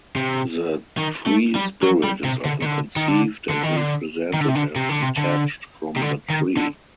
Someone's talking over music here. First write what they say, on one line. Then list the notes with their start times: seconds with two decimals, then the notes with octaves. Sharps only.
The tree-spirit is often conceived and represented as detached from the tree.
0.16 C3
0.99 D#3
1.27 A3
1.55 G3
1.83 F#3
2.04 G3
2.24 C3
2.45 D3
2.62 D#3
2.66 D3
2.97 D#3
3.08 D3
3.50 D3
3.64 D#3
3.77 D3
4.34 D#3
4.41 D3
4.48 C3
4.55 D3
4.76 C3
4.89 D3
5.02 C3
5.17 D3
5.96 C3
6.01 D3
6.30 D#3
6.57 D3